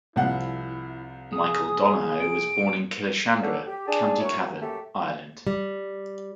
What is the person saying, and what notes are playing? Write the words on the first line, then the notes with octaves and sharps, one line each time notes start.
Michael Donohoe was born in Killeshandra, County Cavan, Ireland.
C2 F3 E4 F#5
G#4 D#6
D7
F#3 C#4 D4 F#4 A4
G4
D4 G#4 D5 A5
F#2 E4 C#5
F#2
F#2 A3 G4 A4 E5
G3